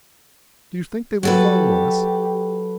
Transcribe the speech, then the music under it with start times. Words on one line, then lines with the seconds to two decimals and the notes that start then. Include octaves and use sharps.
"Do you think they will follow us?"
1.23 F#3 G4 A4 B4